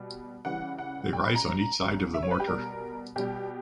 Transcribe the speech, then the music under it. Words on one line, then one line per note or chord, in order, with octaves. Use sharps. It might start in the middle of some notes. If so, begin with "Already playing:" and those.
They rise on each side of the mortar.
Already playing: B2 G3
C#3 E3 G3 F#5
F#5
C#3 G3 G5
B5
A#5
C#3 F#3
E5
C#5
B4
G4
B2 G3 A#4
B2 G3 G4